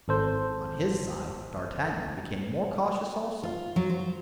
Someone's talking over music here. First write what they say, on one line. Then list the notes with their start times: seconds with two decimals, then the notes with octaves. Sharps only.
On his side D'Artagnan became more cautious also.
0.08 G#1 A4 C5
3.43 F4
3.76 F#3
3.90 C5